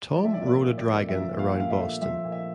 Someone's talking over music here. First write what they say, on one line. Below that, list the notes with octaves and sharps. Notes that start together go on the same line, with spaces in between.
Tom rode a dragon around Boston.
F3 D5
E5
D5
A#2 E5
D5
A#2
D5
A3
F3 E5
A#2
F5
A#2 F5
E5
A3
F3 E5
A#2
E5